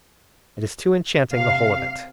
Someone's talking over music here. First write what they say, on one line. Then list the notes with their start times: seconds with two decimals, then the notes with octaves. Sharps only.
It is too enchanting, the whole of it.
1.32 C3 F5